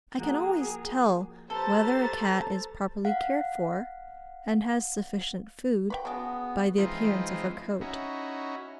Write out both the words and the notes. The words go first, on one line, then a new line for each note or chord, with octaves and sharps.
I can always tell whether a cat is properly cared for, and has sufficient food, by the appearance of her coat.
F3 A#3 F#4 G#4 G5 A#5
G4 A4 B4 C5 A#5 A6
F5 F#5
B4 C#5 G5
C#3 B3 D4 F#4 G#4
E3 F3 G#3 C4 D#4 F4
C#4 D#4 E4 F#4